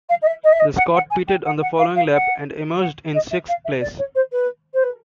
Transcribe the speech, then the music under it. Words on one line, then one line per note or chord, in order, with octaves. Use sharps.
The Scot pitted on the following lap and emerged in sixth place.
F5
D#5
E5
D#5
E5
D#5
F#5
F#5
G#5
G5
F#5
F#5
F5
F5
F#5
F#5
D#5
E5
F5
E5
D5
C#5
C5
B4
C5
B4